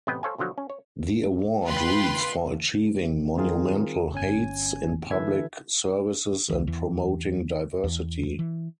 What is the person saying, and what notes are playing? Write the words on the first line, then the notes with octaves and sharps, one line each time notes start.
The award reads For achieving monumental heights in public services and promoting diversity.
A1 C3 B3 B4 D#5 G5
A4 C5 C#5 F5 G#5
B2 D3 F3 F#3 F#4
C#4
C#5
F4 B4 G5 C6
D#3 G3 C4 F4 G#4 A#4
G1 C#4 G#5
D3 E3 A4 B4 E5 G#6
C#2 E3
E2 E3
E2
E3